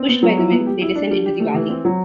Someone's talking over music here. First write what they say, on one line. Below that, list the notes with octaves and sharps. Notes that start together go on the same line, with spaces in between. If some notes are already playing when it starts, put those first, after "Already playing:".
Pushed by the wind, they descend into the valley.
Already playing: C4
B3
F#3
E4
B3
G4
E4
D4
G3
G4
A3
E3
C4
F#3